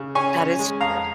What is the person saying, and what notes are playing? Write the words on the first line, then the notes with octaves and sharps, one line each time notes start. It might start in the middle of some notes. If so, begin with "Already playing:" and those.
That is true.
Already playing: C#3
C#4 G#5 C#6
C#4
G#3
F2 F5 A#5